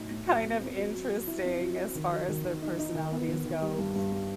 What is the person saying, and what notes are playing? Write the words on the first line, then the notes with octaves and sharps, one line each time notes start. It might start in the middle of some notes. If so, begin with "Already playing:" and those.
kind of interesting as far as their personalities go,
Already playing: A2 F#3 D#4
A2
F#3
B3
C4
F#3
F#3
F#3
E4
C4
F#3
F#3
D#3
F#3
D#3
D#3
D#4
D#4
D#3
B3
D#3
D#3
G3
G2
G2
G3